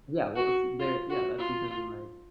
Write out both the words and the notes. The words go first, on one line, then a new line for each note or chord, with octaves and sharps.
Yeah, well, it's there, yeah, that's even like
F#4
F4
F#4
F4